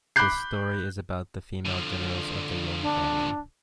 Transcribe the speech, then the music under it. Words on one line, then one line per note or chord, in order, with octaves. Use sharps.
The story is about the female generals of the Yang Family.
B5 D6 F#6 G6 C7
D3 F3
D4